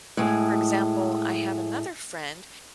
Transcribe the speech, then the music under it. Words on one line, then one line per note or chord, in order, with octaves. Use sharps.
For example, I have another friend
A2 G#3